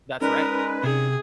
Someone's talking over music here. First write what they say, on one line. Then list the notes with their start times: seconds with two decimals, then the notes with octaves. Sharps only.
That's right.
0.21 G#3 C#4 D#4 A#4 B4 D5
0.84 C3 G#4